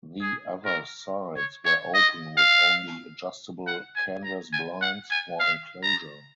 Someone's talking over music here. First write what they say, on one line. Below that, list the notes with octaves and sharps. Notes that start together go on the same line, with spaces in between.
The other sides were open with only adjustable canvas blinds for enclosure.
G#4
A#4
C#5
C#5
D#5
F5
F#5
G#5
A#5
G#5
F#5
G#5
F5
A#5